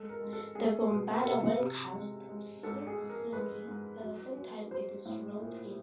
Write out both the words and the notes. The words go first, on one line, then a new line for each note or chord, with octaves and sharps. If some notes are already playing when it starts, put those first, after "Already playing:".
The bombarda when cast, sinks slowly, at the same time, it is reeled in.
Already playing: G#3 A4
A#4
G#3
A4
G#3 G#4
B2
A#4
C3 A4
C3
G#3
G#3
G#2 A4
G#4
G#3
A#4
G#3 B4
G#2
F#3
F#3
F#3 C5
A2
A#2